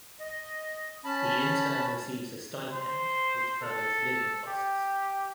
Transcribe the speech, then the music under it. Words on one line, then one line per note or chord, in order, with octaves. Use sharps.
The intern receives a stipend which covers living costs.
D#5
C#4 A5 B5
C5
A4
G4